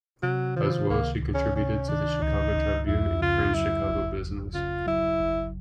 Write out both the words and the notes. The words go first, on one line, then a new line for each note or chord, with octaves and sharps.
As well, she contributed to the "Chicago Tribune" and "Crain's Chicago Business".
C3 F#3
D#3 F3
C#2 A#3
C#2
C#4
C3 C#4
D#3 D4
C#2 D#4
C#2
F2 E4
C#3 F4
F#3 E4
G1
F2
C#3 F4
F#3 E4
G1